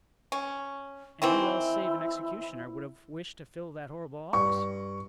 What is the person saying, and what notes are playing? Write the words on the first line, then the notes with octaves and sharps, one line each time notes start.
"And who else save an executioner would have wished to fill that horrible office?"
C#4
D#3 E3 C4 E4
G2 C#6